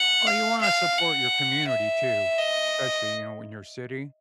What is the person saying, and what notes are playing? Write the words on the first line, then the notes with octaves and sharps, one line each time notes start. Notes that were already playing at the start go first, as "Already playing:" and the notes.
Oh, you wanna support your community too, especially, you know, in your city,
Already playing: F#5
F5
F5
F#5
E5
D#5